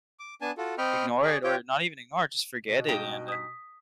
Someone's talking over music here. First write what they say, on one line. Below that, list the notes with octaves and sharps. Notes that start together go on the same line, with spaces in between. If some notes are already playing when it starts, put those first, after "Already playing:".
ignore it or not even ignore it, just forget it and, uh,
D6
B3 D4 G#5 A5
F4 F#4 A4
C4 D#5 G5 B5 C#6 F6
G#4 D5 C#6
F4 G4 C#5 G5
B2
G2 D#4 G5
D#6 B6